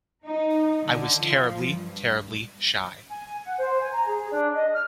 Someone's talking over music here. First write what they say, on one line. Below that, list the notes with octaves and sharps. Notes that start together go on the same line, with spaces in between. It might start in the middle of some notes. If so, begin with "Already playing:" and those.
I was terribly, terribly shy.
D#4
D3
F3
G2
G#5
F#5
C5
G#5
A#5
G#4
D4
D#5
F6